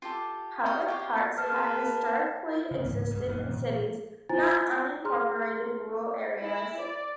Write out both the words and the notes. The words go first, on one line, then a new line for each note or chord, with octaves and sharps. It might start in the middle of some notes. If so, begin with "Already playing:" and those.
Public parks had historically existed in cities, not unincorporated rural areas.
F4 G4 A4
F#4 F5 G5 D#6
G4 C#5 F5
A#3 G#4 B4 A5 F6
C#3
C#2 G#2 E3
G2 A#2
D#1 F#2 D#3 A#3
A#2 F3
E4 F4 C5 G#5 A#5 A6
G#4 A#5 C6 F6
E4
D5